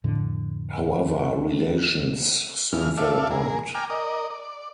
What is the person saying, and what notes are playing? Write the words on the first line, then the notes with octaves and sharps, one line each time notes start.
However relations soon fell apart.
F2 A2 D3
F2 E3 F6
A4 D5 E5 F5
G#4 A#4
G5 G#5 A#5 D6 F6
A#4 D5 D#5
D5